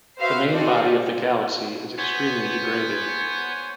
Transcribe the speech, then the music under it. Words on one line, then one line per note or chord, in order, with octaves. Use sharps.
The main body of the galaxy is extremely degraded.
F#4 B4 C5 E5 F5
F#4 G4 A4 C5 D5 D#5
B3 C5 C#5 G#5